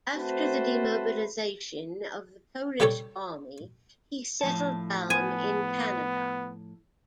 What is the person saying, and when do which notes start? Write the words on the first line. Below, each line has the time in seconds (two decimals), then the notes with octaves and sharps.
After the demobilization of the Polish Army he settled down in Canada.
0.16 A3 C4 F#4 B4 C5 A5
2.80 C#3 G3 G4 A4 C#5
4.41 A2 F3 A5
5.10 B3 G#5